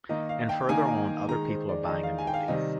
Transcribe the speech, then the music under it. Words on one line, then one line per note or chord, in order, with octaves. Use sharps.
And further on other people are buying annuities.
D#3 A#3 D#4 D#5
F5
G5
D#3 A#3 D#4 G#5
D#3 G#3 D#4 A#5
C5
D5
D5
D#3 G#3 D#4 D#5
F5
G#5
G5
F5
C3 D#3 G3 D#5